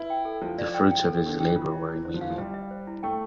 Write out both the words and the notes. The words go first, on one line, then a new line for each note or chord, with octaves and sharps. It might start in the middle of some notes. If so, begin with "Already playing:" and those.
The fruits of his labor were immediate.
Already playing: E4 B4
G5
A4
F3 E4
D5
G5
G5
A4
D3 A4
E3 G5
F4
E5
E4
D3 C5
F3
E3 F5
F3
G3 E5
E5
C5
E4
A3 G5